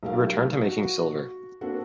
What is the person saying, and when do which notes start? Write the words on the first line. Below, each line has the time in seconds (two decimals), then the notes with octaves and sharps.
He returned to making silver.
0.03 B1 A3 G4 A#4 F5
0.64 F#4
1.61 A#3 C4 D4 F#4 A4